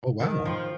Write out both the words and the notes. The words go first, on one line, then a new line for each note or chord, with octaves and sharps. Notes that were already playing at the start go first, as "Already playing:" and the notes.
Oh, wow.
D#3
F3